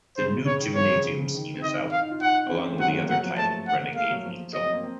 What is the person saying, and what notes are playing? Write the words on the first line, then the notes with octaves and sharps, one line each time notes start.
The nude gymnasium scene is out, along with the other title 'Renegade Angel'.
C#3 C5
C#3 C#5
D#3
F3 C#5
C#3
C#3
D#3
C4
D#4 D#5
F5
D#4
F4
D#4 F#5
C4
C#4
C4
A3
F#3 F#5
A3
A#3
F#3 F#5
F3
A3 A5
F#5
A#3
A3 F5
F#3
F3
F#3 D#5
C4
A#3
C4